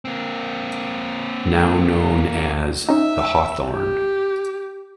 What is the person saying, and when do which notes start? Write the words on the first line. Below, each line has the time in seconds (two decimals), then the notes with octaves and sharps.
Now known as "The Hawthorn".
0.05 A#3 C4
2.89 C#4 D#4 E5
3.70 G4